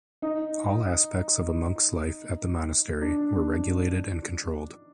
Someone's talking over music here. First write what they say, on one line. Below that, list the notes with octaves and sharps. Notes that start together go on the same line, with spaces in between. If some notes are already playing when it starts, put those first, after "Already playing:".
All aspects of a monk's life at the monastery were regulated and controlled.
D#4
D4